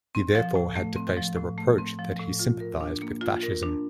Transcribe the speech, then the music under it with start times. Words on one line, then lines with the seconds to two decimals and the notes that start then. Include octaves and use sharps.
He therefore had to face the reproach that he sympathized with fascism.
0.15 C4
0.35 F3
0.56 A2
0.76 A3
0.96 C4
1.17 F3
1.37 A2
1.58 A3
1.78 C4
1.99 F3
2.19 A2
2.39 F4
2.60 A#4
2.81 D4
3.02 A#3
3.21 F4
3.42 A#4
3.63 D4